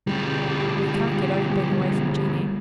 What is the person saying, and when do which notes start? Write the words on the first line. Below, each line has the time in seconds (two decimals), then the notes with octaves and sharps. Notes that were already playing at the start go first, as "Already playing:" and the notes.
He can't get over being away from Jeanie.
0.07 D2 G3